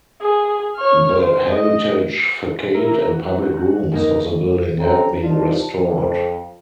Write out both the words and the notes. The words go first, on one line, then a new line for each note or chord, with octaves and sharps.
The heritage facade and public rooms of the building have been restored.
G#4
C#5 F6
C5
D#5
A#3 E4 A#4
F#4
F2 A#3 D#4
G1 F2 C4 C#4 A4 A#5
C2 D#4 F4 D5 A5
F2